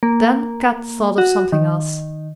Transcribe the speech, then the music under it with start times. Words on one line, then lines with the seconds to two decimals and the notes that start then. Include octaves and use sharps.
Then Kat thought of something else.
0.03 A#3
1.18 F#4
1.52 D#3